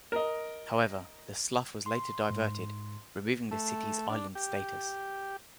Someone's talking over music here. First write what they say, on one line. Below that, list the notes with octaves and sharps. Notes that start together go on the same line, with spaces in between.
However, the slough was later diverted, removing the city's island status.
A#4 D#5
C6
G#2
A3
D4
G4